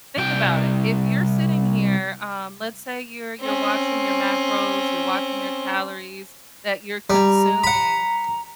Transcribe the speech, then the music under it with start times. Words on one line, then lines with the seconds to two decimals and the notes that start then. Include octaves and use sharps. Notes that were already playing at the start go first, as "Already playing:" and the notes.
Think about it. If you're sitting here, um, let's say you're you're watching your macros, you're watching your calories that you're consuming.
0.18 C2 G5
3.41 C4 C#4
7.10 G3 A#5
7.64 F#5 B5